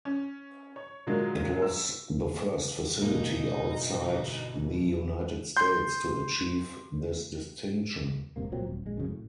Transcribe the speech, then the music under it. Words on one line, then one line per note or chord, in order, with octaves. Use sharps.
It was the first facility outside the United States to achieve this distinction.
C#4
C#5
A#2 D3 F#3 G#3 A#3
E6
G1 B2 E3 A#3 D#4
C6 G6
E1 C3 A#3
C2 A#2 F#3 C4
D#1
A#1 G#3
F#2 C#3
A2